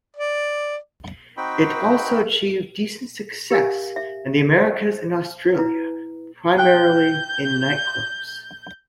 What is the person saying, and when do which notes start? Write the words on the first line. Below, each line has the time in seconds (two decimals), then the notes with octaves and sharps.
It also achieved decent success in the Americas and Australia, primarily in nightclubs.
0.17 D5
1.37 C4 D#4 F#4 G5 B5
3.50 G4 A#4 F5 G#5
3.96 E5
4.58 C5
5.54 E4 B4
6.58 G5 F#6 G6